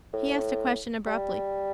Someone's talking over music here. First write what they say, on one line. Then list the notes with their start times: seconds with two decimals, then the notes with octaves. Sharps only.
He asked a question abruptly.
0.13 A2
1.07 G3